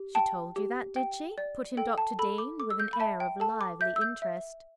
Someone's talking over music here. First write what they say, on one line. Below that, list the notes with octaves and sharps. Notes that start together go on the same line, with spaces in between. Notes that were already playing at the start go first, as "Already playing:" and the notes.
"She told you that, did she?" put in Dr. Dean, with an air of lively interest.
Already playing: G4
G5 A5
G4
G5
D5
A4 G5
A5
A4 B5
D6
A4 D6
E6
G6
B5
E5 A5
G5
A4 A5
D6
E5 G6
E6
G6
E5